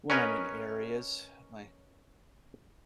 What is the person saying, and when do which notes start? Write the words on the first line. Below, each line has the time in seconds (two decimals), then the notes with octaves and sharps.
when I'm in areas. My
0.10 C#4 A#4 B4 C#5 D#5